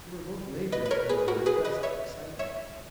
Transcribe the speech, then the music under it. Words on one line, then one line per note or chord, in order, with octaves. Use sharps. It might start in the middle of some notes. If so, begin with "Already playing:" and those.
They were both laboring under a repressed excitement.
B4 D#5
B4
A#4 C#5
G#4 B4
F#4 A#4
G#4 B4
B4 D#5
C#5 E5
C#5 E5